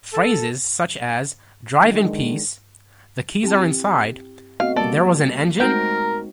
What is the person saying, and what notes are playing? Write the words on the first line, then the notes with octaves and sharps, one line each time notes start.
Phrases such as, 'Drive in peace, the keys are inside,' 'There was an engine?
A4
D3 D#3 G#3
C4 E4 G4 A5
A3 B3 C4 F#4 D#5 F5
G3 A#3 A4 D5
G#3 A3 C4 D#4 F#4 A#4 G5